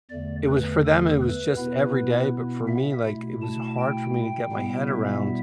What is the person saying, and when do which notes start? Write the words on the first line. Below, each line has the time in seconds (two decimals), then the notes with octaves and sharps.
it was for them it was just every day, but for me, like, it was hard for me to get my head around,
0.10 E2 D3 A3 D5
0.48 B4
0.85 A4
1.21 B4
1.58 B2 B3 E4
2.67 E5
3.04 B2 A3 E4
3.41 A5
3.78 G5
4.14 G5
4.52 B2 G3 B3 E4
4.87 E5